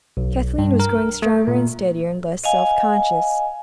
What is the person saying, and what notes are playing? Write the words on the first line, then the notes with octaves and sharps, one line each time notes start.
Kathleen was growing stronger and steadier and less self-conscious.
B1
G2
A#4
A3
A#2
D#5 F5 G#5